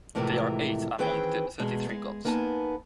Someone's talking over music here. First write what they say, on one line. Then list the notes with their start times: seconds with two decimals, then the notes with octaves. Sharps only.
They are eight among the Thirty-three gods.
0.15 F2 A2 C3 E3 G#3 A#4
0.98 D#3 E3 C4 G#4 B4 G5
1.59 E2 B2 G#3
1.89 G#3
2.25 A#3 B3 D#4 G#5 A5